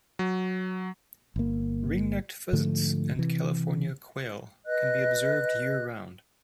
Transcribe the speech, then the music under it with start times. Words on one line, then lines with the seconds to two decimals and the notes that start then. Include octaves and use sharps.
Ring-necked pheasants and California quail can be observed year-round.
0.19 F#3
1.36 G1 A#3
2.53 G#2 D3 F3 A3
3.16 C3 E3
4.66 B4 D#5 F#6